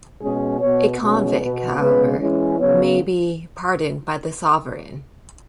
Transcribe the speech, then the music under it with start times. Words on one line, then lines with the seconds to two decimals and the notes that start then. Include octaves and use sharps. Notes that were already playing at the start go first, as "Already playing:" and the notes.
A convict, however, may be pardoned by the Sovereign.
0.20 B2 G#3 C#4 G#4
0.60 B2 B3 C#5
1.00 B2 G#3 C#4
1.39 B2 B3 B4
1.79 C#3 G#3 B3 B4
2.18 E3 G#3 C#4
2.58 C#3 F#3 B3 C#5